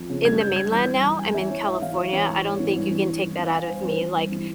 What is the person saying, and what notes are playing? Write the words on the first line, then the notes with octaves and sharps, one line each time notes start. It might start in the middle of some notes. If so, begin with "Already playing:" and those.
in the mainland now, I'm in California, I don't think you can take that out of me, like,
Already playing: F2
C#3
G2 G#6
G2 G6
G2 G#6
E3 G6
G2 G6
E3 A#5
G2 G#5
E3 E5
E3 C#5
G#2 E5
E3 F5
G#2 C#5
E3 C#5
G#2
G#2
E3
G2
E3
G2
E3
E3 F5
E3 G#5
G2 C5
E3 C5
E3
G2
E3